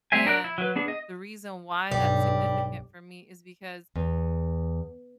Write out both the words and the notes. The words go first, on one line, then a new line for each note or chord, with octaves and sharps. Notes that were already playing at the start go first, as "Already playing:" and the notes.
and the reason why that's significant for me is because
A3 C4 C5 E5 G#5
D4 A#4 D5 F#6
E4
F#3 B4
B3 D4 G#4
D#5
B1 G2 G3
E2